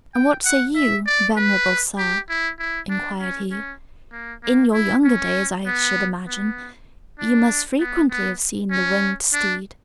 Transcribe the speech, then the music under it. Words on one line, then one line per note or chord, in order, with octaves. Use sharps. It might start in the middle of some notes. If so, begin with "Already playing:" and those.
"And what say you, venerable sir?" inquired he, "In your younger days, I should imagine, you must frequently have seen the winged steed!"
G5
F#5
E5
D5
B4
G4
E4
E4
D4
C#4
C#4
A#3
A#3
E4
C#4
B3
B3
D4
B3
B3
C#4
D4